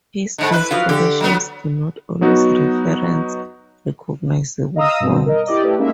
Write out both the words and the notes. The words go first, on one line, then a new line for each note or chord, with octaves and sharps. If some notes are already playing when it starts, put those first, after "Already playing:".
His installations do not always reference recognizable forms.
G#2 D3
E4 B4
F3 F#3 F4
D3 G4
F#3 B3
F#3 B3 D#4 F#4
D#5 F5 A#5 D#6 E6
G2 B2 C4
A#4 D#5
E4 G4 D5 D#5
A3 E4 G4 B4
G#3 A#3 C#4 D#4 E5